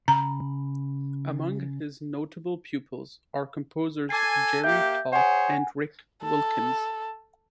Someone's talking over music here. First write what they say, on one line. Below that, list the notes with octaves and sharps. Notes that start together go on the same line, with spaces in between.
Among his notable pupils are composers Jerry Toth and Rick Wilkins.
C#3 A#5 B5
A4 G#5 D6 A6 C7
A#3 G4 E5 G6
G#4 C5 C#5 F#5 G#5
A4